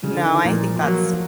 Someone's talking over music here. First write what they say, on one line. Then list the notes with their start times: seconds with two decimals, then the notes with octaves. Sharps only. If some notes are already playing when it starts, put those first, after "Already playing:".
No, I think that's
0.03 C#3
0.13 D3
0.24 D#3
0.34 E3
0.45 A#2 F3
0.83 F3 F#3 A#3